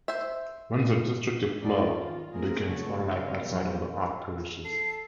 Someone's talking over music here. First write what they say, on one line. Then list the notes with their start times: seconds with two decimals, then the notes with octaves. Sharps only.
When the destructive flood begins, all life outside of the ark perishes.
0.08 C5 E5
1.60 E2 B3 D#4 F4 D5
1.99 D#3 F4
2.32 A3 A#3 C4 G#4 A#4
2.67 A2 C#3 F#4 A4 C#5
3.03 F#2 C#3 G3 C4 C#4 F5
3.42 B2 F3 F#3 C4 G4
4.65 A4 C7